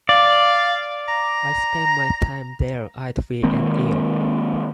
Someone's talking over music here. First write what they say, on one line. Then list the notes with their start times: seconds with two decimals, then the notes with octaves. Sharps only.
I spent my time there idly and ill'.
0.09 D5 F5
1.08 A#5
3.43 D#3 G#3 A#3 C4